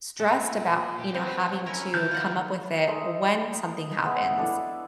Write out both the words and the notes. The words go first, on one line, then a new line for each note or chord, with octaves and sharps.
stressed about, you know, having to come up with it when something happens.
A#2 A4
G4
F#3 C4 B4
C#4 E4 A#4
D#3 E4 A5 F6 G6
F4 F#5
G#3 A3 D#4
G#3 B3 E5 B5
D4 E4 A4 B4